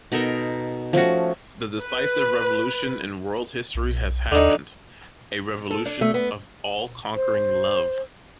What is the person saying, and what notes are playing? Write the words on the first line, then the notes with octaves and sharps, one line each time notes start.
The decisive revolution in world history has happened - a revolution of all-conquering love.
B2 D#4 A4 A#4
F3 A3 C#4 F#4
B4
B1
D#2 D3 D#4
A4
D4
A3
B3
C5